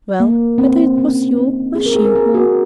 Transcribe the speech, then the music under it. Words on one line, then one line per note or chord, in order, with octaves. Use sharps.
"Well--whether it was you or she who..."
A#3
C4
C#4
D#4
G#4
A#4
G#4
A#4
G#4
F#4